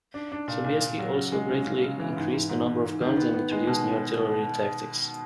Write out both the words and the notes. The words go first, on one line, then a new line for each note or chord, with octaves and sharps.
Sobieski also greatly increased the number of guns and introduced new artillery tactics.
D4
D4
A#2
A#2
A#2
F#3
C#3
G#3
C#3
C#3
C#3
E3
G#2
G#2
G#2
G#2
G#2
D#3
B3
B3
G#3
B2